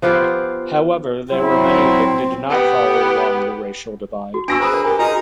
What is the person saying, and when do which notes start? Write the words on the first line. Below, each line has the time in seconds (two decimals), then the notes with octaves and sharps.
However, there were many that did not fall along the racial divide.
0.02 F3 B3 F4 G4
1.32 F#3 C4 E4
2.49 B3 G4
4.34 F#4
4.48 D4 G#5 C#6 E6 A#6 D7
4.60 G#4 B4 C5 A#5
4.72 A#4 D5
4.84 G4 A#4 G#5
4.99 D#4 F4 F#4 G#4 B4 A#5